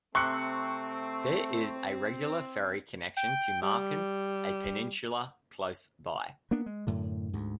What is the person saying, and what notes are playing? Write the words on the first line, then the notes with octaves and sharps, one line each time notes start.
There is a regular ferry connection to Marken, a peninsula close by.
C3 A3 C4 C#6 F#6 C#7
G5
G3
A#3 B3 D4
G#3
F#2 A2 D3
D2 G#2